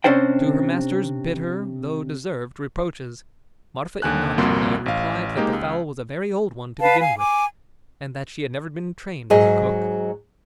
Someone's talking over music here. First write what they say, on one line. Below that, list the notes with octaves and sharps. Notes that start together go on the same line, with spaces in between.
To her master's bitter, though deserved, reproaches, Marfa Ignatyevna replied that the fowl was a very old one to begin with, and that she had never been trained as a cook.
C3 C#4 D4 C5 G5
D#2 D3 G#5 F#6
G1 C2 F2 A#3 F#4 C6
A1 F5
G#3 A#3 D#4 G4
C#2
B4 F5 A5
F5 G#5
G#5 D6
G#2 F#3 G#4 D#5 G#5